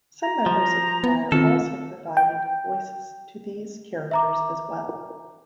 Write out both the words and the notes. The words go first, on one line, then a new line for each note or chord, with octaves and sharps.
Some members of the choir also provided voices to these characters as well.
A#5
F3
B3
D#3 C4 F4 A4
G5
E5 A#5 D6